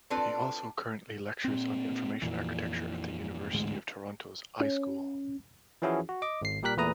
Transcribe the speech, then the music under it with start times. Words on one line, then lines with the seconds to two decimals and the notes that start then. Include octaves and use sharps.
He also currently lectures on Information Architecture at the University of Toronto's iSchool.
0.10 C4 D4 F4 A4 B4 D5
1.44 A#2 C4
2.22 F2 A#2 E3
3.53 A1 D2 G#2 G#3
4.60 C#4
5.82 E3 F3 C#4 E4 F#4 G#4
6.09 F#4
6.22 D#5 D6
6.42 G#1 C7
6.63 A#2 G3 G4 A#4 F#6 B6
6.77 E2 A#2 A3 B4 A#5 D#6